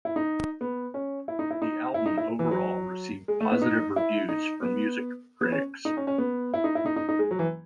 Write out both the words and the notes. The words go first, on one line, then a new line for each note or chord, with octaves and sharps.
The album overall received positives reviews from music critics.
E4
D#4
B3
C#4
E4
D#4
E4
D#4
E4
D#4
E4
E3
F#3
G#3
A3
B3
D#4
E4
D#4
B3
B3
C#4
D#4
C#4
C#4
B3
E4
D#4
E4
D#4
D#4
D#4
G#3
F#3
E3